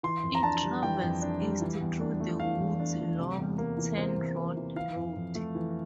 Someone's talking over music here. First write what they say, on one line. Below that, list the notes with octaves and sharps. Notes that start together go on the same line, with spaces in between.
It travels east through the woods along Ten Rod Road.
E3 C6
F2
A#5
D4 A5
G3
E3 G5
F2
D4
G3
E3
E2
D4
A3
E3 F5
E2
D4
A3
C3
E2
A#3
E3
C3 C5
E2
A#3
E3
E3 F5
F2
F2
A3
E3